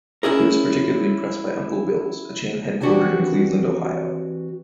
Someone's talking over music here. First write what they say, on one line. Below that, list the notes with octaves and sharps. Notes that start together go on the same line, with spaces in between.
He was particularly impressed by Uncle Bill's, a chain headquartered in Cleveland, Ohio.
C#4 E4 G#4 A#4
E3 C4 D4 F#4 G4 G5